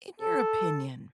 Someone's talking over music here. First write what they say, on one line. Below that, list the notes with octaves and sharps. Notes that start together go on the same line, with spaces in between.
In your opinion,
A4